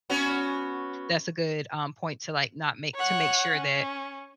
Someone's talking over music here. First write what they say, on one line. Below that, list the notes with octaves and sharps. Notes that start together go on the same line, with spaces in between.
that's a good, um, point to like, not make to make sure that
B3 C#4 F#4
C#5 F#5
C#4